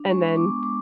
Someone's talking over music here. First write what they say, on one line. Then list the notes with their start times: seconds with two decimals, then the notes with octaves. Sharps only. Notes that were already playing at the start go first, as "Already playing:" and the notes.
and then
Already playing: D4
0.10 G#3 C#6
0.29 C#6
0.36 B3 D6
0.63 G#3 D6